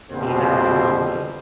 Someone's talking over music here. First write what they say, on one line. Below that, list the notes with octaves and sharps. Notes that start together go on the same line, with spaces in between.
for me bad, unhealthy.
A#1 F2 B2 G3 F#4 C5